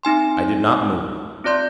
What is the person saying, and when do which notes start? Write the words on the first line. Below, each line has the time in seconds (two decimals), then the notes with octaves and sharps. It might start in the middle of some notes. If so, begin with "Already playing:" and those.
I did not move.
0.03 C4 D#4 G#5 C6
1.44 C4 F4 D5 C6 G6